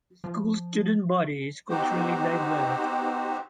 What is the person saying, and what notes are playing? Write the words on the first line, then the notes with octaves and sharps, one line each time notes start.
The school's student body is culturally diverse.
F3
B3 C4 D#4 F#4 G4 C5